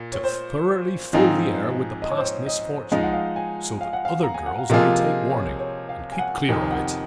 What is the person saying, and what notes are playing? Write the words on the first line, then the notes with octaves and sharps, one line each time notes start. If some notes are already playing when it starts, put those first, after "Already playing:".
"To thoroughly fill the air with the past misfortune, so that other girls may take warning and keep clear of it."
Already playing: A#2
C#5
C5
G#2 F3 C4 D#4 G#4
D#5
C#5
C5
C#5
D#5
F3 G#3 D#4 F5
F#5
F5
G#5
F5
F#5
F5
A#5
G#5
F#5
F5
C3 F3 A#3 F4 G#4 D#5
D#5
C#5
C#5
F5
G#5
F#5
F2 C3 D#3 G#5
F#5